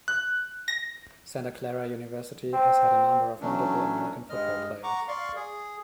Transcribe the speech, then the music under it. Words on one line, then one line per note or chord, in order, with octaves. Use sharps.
Santa Clara University has had a number of notable American football players.
F#6
A#6
C4
E3 F#3 A3 C#4 D4
G2 G#3 D#5 F6
F#5 A#5 C#6 D6
D5 F5 C6 C#6
G#4